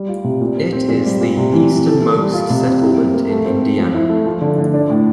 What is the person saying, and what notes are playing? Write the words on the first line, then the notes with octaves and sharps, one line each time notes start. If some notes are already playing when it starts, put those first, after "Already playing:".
It is the easternmost settlement in Indiana.
Already playing: G3
F4
C3
A#2
C4
C4
A#2
G3
A#2
C3
E3
E3
A4
A4
G3
F4
C3
C4
E4
A#3
A#3
A3
C4
C4
F3
E4
A3
F3
D3
D3
D4
A2